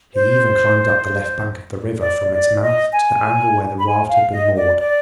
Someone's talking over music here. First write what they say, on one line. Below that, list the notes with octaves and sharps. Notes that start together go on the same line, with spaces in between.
He even climbed up the left bank of the river from its mouth to the angle where the raft had been moored.
C5
D5
D5
D#5
G#5
B5
G#5
F5
D#5
D5
D5